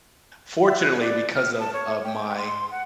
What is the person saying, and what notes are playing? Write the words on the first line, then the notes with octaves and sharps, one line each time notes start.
fortunately because of of my,
E5
F#6
D5
F6
A5
C#5
G5
C6
F#5